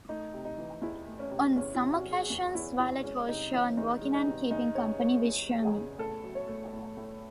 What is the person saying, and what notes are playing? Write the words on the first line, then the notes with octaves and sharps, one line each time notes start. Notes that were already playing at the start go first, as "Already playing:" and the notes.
On some occasions, Violet was shown walking and keeping company with Shermy.
A3 D#4
C3
D#4
E3
E2 E4
A3
C#4
C3
E2 C#4
E4
C3
F#4
F#3
G#4
E2
E2 E4
C3 E4
G#3 C#4
C3 D#4
E3 C#4
E2 D#4
G#3
D#4
C3
E2 D#4
C#3 C#5
G#3 C#5
E2
E2
G#4
C#3
A2 A4
F#3
C#5
A3
A2
A2